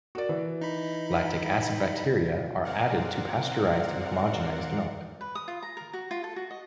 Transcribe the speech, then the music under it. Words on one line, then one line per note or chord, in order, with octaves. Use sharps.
Lactic acid bacteria are added to pasteurized and homogenized milk.
F#4 A#4 D5
E3
D#4 B5
C4 A#4 D5 F5 F#5
B4
D#6
F4
A#5
A#4
F#4
F4
A4
F#4
D#5